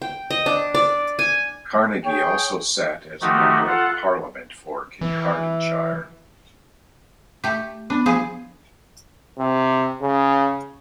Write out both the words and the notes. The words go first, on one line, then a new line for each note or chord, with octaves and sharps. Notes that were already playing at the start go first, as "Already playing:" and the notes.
Carnegie also sat as a Member of Parliament for Kincardineshire.
G5
D#5
D4
D5
G#5
G#4 C#5 G5
D#3 F3 A3 D#4 F#4 G4
F4 A4 F#5
E3
A3 G4
B3 D4
F3 G#4
C3
C#3